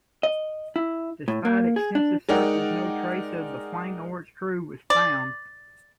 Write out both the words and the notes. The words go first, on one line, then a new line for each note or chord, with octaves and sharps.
Despite extensive searches no trace of the 'plane or its crew was found.
D#5
E4
A2
A#3
G#4
D4
G#3 D#4 A#4 D5 F#5 G5
D5